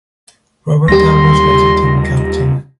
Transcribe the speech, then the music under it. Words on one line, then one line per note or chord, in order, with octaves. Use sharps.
Robert Albus was the team captain.
D#2 F#3 G3 G4 C6 A#6